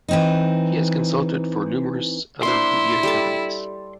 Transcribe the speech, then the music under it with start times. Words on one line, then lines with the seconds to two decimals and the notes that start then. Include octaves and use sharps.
He has consulted for numerous other media companies.
0.08 E3 C4 D#4
2.43 A#3 D4 E4 C5 C6
3.03 G3 A4 A5